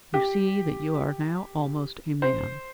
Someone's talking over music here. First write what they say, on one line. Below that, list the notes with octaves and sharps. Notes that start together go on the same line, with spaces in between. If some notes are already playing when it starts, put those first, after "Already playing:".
You see that you are now almost a man.
G4
C5